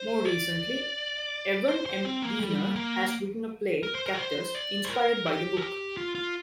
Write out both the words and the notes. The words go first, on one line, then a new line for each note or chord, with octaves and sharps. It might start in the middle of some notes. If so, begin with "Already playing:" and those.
More recently, Evan M. Wiener has written a play, "Captors", inspired by the book.
Already playing: C5
D5
C5
C5
C4
A#3
G3
A#3
A#4
C5
A#4
D5
C5
D5
C5
A#4
G4
A#4
G4
F4
F4